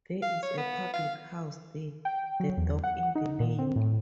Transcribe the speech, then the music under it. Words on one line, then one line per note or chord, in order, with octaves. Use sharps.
There is a public house there - the "Dog in the Lane".
F5
C#5
B3
F5
G5
F#3
E2
F#5
D#4
A#2
C4
A2